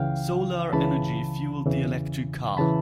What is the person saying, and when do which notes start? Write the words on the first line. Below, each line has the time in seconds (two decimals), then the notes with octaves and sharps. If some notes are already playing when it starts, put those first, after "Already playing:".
Solar energy fueled the electric car.
Already playing: C#2 C#3 E3 F5 G5
0.73 C#2 C#3 E3 A5 B5
1.66 E2 C#3 E3
2.57 C#3 E3 A5 B5